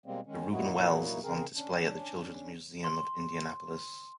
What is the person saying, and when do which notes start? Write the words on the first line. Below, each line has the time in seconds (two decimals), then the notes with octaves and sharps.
The "Reuben Wells" is on display at the Children's Museum of Indianapolis.
0.06 B2 G3 G#3 A#3 C4
0.26 D#3 G#3 C#4
0.51 A#2 F#3 A#3 D#4 E4 F#4
1.23 C#3 C4 G#4 A#4
1.56 C#4 D4
2.84 C6